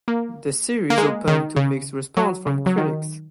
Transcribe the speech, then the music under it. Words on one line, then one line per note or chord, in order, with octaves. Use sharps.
The series opened to mixed response from critics.
A#3
A#3
G#3
D#3
C#3
F#3
C#3
F#3
D#3